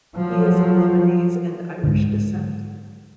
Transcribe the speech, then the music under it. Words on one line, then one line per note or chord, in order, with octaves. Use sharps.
He is of Lebanese and Irish descent.
F3 F#3
G#2 D3